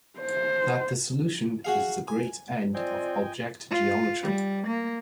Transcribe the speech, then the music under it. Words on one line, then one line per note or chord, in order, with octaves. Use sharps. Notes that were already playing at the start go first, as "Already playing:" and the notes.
That the solution is the great end and object of geometry.
C5
F#4 G#4 F5
G#5
C4 F4 D5 D#5 G5 G#5
F4
G3
A#3